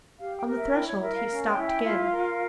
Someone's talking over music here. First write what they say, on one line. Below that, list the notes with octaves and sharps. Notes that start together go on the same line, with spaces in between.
On the threshold he stopped again.
G4 F5
G5
A#4
E5
E4 G5
C#5
A#4 E5
F5
C#4 F5
G5
E4
G5
F4 F5
F5
A#4
F5